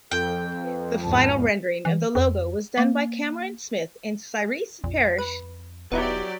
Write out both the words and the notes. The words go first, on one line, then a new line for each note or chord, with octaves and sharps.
The final rendering of the logo was done by Cameron Smith and Cyrese Parrish.
F2 A4 G5
B4
G#1 E2 A5
E3
F2
A#3
A#1 F2
B4
E1 F#3 B3 D#4 E4 G4 D5